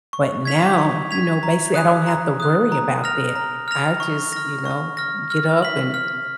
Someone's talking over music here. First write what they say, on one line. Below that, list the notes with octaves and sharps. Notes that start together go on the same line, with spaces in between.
but now, you know, basically, I don't have to worry about that. I just, you know, get up and
C#6
G#6 B6 F7
C#6
G#6 B6 F7
A#5
D#6 F#6
A#5
D#6 F#6
A#5
F6 A#6 F7
A#5
F6 A#6 F7
C#6
F6 A#6
C#6
F6 A#6
F6
B6 F#7
F6